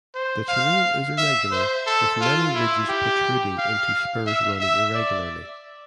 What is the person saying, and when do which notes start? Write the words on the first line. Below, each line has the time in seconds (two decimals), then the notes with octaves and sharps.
The terrain is irregular with many ridges protruding into spurs running irregularly.
0.14 C5
0.49 F5
1.18 E5
1.51 C5
1.86 A4
2.21 F4
2.55 E4
2.89 G4
3.58 F5
4.26 E5
4.61 E5
4.94 D5